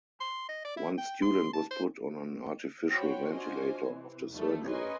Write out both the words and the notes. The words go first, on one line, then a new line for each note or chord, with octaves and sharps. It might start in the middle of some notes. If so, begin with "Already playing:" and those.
One student was put on an artificial ventilator after surgery.
C6
D#5
D5
E4
G5
C6
A5
C5
F#4 C5 C#5 G5 B5
D4 F4 F#4 C5 D#5 G#5
C3 E3 C4
E2 D#3 F3 G3 A3
A#4 B4 C#5 D#5 G#5 C6